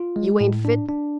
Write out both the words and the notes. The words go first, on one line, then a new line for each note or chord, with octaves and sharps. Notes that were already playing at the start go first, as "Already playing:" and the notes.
"You ain't fit."
Already playing: F4
G#3
A2
D4
D4